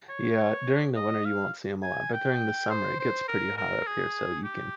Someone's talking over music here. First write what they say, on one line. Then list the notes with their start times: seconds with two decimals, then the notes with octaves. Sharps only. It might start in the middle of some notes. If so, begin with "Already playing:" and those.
Yeah, during the winter you won't see 'em a lot, but during the summer it gets pretty hot up here, so you can
0.09 C#5
0.96 D#5
1.25 F5
1.83 G#5
2.13 G5
2.70 C5
3.00 C5
3.28 A#4
3.57 A#4
3.87 G#4
4.44 G4